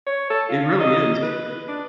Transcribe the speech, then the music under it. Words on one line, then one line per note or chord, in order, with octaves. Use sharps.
It really is.
C#5
A4
F4
D#5
B4
D4